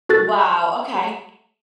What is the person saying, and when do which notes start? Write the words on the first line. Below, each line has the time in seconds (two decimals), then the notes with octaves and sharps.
Wow, okay.
0.09 F#4 A4 F#6 A6